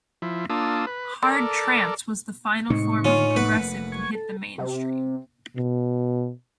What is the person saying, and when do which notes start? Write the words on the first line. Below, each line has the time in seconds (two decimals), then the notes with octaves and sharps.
Hard trance was the final form of progressive to hit the mainstream.
0.22 F3 E4
0.50 A#3 D4 F4 A5 D#6 E6
0.87 B4
1.22 A4 A#4 D5
2.70 A2 C3 G#3 C4 D#4 C#6
3.05 D3 D#3 A#3 C#4 F4
3.36 F1 A3 A#3 B4 F#5
3.92 C#6 G#6
4.15 A4
4.58 C3
5.57 B2